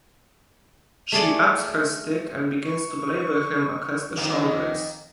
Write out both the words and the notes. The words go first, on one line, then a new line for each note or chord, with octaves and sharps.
She ups her stick and begins to belabor him across the shoulders.
A3 G#4 D5
C#6
F2 D#3 A#3